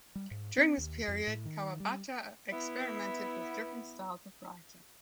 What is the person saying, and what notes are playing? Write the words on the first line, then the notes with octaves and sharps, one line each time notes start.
During this period, Kawabata experimented with different styles of writing.
G3
G#2
C4
D#2
F2
A2
D#3
G3
B3 E4